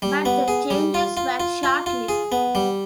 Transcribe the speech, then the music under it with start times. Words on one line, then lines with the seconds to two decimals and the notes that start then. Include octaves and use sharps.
But the changes were short-lived.
0.02 G3
0.25 B3
0.48 G#4
0.70 G3
0.94 F4
1.17 F4
1.40 F4
1.63 F4
1.86 F4
2.09 G#4
2.32 B3
2.55 G3